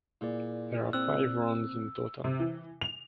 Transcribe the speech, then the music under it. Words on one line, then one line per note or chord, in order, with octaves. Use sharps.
There are five rounds in total.
A#2 E4 G#4 D5
C4 E6 F#6
C3
E3
F7